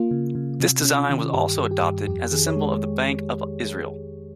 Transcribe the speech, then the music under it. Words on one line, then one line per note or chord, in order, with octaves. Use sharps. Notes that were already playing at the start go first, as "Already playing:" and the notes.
This design was also adopted as the symbol of the Bank of Israel.
Already playing: A#3 F4
C#3
C#3
C3
C#4
D#3
G2 G4
G2
G4
G2
F2 G4
D#3 G#4
C#5
G#3